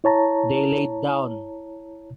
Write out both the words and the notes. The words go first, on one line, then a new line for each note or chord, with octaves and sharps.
They laid down.
E4 C#5 A5 A#5